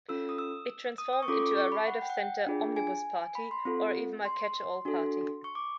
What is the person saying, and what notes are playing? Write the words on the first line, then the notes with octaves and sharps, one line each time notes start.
It transformed into a right-of-centre "omnibus" party, or even a "catch-all party".
C#4 F4 A4 E6
D#6
E6
D#6
D#6
C#6
C#4 F4 A4 D6
D6
C#6
B5
F#5
G5
F#5
G5
D4 F4 G#4
G#5
B5
C6
C4 F4 A4
C6
D4 F#4 A4
C#6
D6